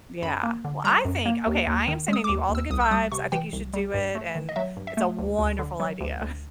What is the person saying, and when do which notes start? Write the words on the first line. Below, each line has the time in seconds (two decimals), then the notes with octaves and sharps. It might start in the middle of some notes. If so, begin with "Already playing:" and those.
Yeah, well, I think okay, I am sending you all the good vibes, I think you should do it, and it's a wonderful idea.
0.22 F#2 B5
0.43 A#3
0.65 D3
0.84 G3 A#5
1.05 F#2
1.26 A#3
1.46 D#2
1.67 D#2
1.88 D#3
2.08 G#3 D#6
2.24 D6
2.29 D#2
2.49 D#2
2.55 E6
2.70 C2 D#6
2.81 E6
2.91 G3 D#6
3.12 C3 C#6
3.32 E3 G5
3.53 C2
3.74 G3
3.94 G2
4.15 A3
4.36 D#3
4.49 D#5
4.56 F#3 E5
4.77 G2
4.87 E5
4.97 A3
5.19 D2
5.39 D2
5.59 D3
5.80 F#3
6.00 D2
6.21 D2